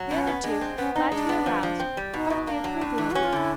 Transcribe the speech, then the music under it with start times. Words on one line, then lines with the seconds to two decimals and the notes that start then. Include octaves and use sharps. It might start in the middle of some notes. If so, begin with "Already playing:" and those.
The other two, glad to be aroused, heartily approved the idea.
Already playing: F#3
0.10 B2 C#4
0.27 B3
0.44 G#3 D4
0.61 C4
0.78 B3 C#4
0.95 D4 D#4
1.12 G#3 D4
1.29 B3
1.46 F3
1.63 F3
1.80 C4
1.97 G3
2.14 B2 D#4
2.30 B2
2.47 A#3 D4
2.64 F#3
2.81 A2
2.98 E3
3.11 C#4 F#4
3.23 F4
3.32 D3 E4